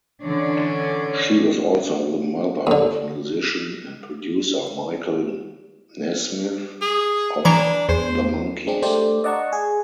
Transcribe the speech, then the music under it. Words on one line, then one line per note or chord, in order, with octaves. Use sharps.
She was also the mother of musician and producer Michael Nesmith of The Monkees.
D3 E3 C#4 D4 C#5 D5
D#2 D3
G#4
E3 D4 A#5
E2 C5
G#3 C4 D4
A3 D4 G4 C5 D5
D5 D#5 F#5 A5 A#5 C#6
G#4